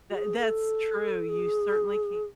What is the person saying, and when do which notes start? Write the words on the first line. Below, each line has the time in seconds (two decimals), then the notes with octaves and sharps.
Tha that's true, you certainly ca
0.10 F#4
0.15 G#4
0.38 A4
1.29 G#4